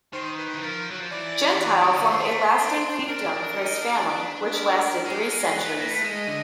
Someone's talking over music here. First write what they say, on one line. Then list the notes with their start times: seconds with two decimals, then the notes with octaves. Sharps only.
Gentile formed a lasting fiefdom for his family which lasted three centuries.
0.13 D#3 C5
0.37 B4
0.54 E3
0.61 F3 A#4 B4
0.91 F#3
1.00 F3
1.11 E3 D5
1.81 C#3
1.95 D3
2.09 D#3 C5
2.25 A3
2.59 D4
3.07 A#4
3.56 D#4
3.81 D4
4.06 B4
4.30 C5
4.34 B4
4.54 A#4
5.04 G#3
5.45 C5
5.54 B4
5.66 A3
5.79 A#3
5.90 A3
6.02 G#3 F5
6.06 D#5
6.27 D3